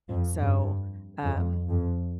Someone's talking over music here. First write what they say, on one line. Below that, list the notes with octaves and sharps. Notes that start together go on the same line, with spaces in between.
So, um,
F2
G2
F2
F2